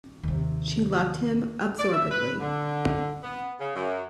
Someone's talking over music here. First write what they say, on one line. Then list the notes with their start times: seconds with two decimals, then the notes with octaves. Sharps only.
She loved him absorbedly.
0.23 D#2 C3
1.78 D5
1.94 E5
2.10 B4
2.40 D3
3.23 B3
3.60 C#3
3.75 F#2